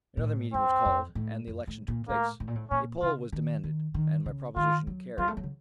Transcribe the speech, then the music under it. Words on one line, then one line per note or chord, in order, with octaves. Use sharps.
Another meeting was called, and the election took place; a poll was demanded, and my proposition carried.
A#2
A2
F#2 C4
F2
A2
F#2
A2
A#2
A2 A#3
A2
A#2
A2
A#2 C#4
C#3 F4
D#3
D#3
D#3
C#3
D#3 F4
F#3
F#3 F4
A3
F#3
C#3